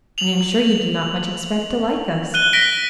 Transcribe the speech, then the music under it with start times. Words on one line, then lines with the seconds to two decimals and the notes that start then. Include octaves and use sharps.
I am sure you did not much expect to like us.
0.18 F7 F#7
2.34 F#6 D#7 G7
2.53 A#6 B6 D7 G7